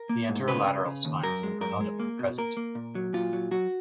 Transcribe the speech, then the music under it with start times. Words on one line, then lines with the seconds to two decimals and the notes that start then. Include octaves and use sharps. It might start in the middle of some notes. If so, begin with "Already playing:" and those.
The anterolateral spines on the pronotum are present.
Already playing: A#4
0.09 A#3
0.29 G#2
0.48 C#3 B4
0.66 C#3
0.86 C#3
1.05 D#2
1.23 F#2 A#4
1.43 G#3
1.61 F#2 A#4
1.81 G#3
2.00 A#3
2.19 B2
2.38 A#3 A#4
2.57 A#3
2.75 A#2
2.95 F#3
3.13 A#2 F4
3.33 F#3
3.51 F#3 F#4